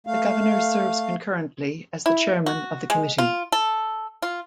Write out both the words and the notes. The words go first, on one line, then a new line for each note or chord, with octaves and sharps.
The Governor serves concurrently as the Chairman of the Committee.
A3 F5
E4
F#4
G#3
F4
A4
F4